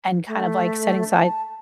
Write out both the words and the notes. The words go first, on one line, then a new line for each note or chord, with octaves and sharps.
and kind of like setting aside
A3
A5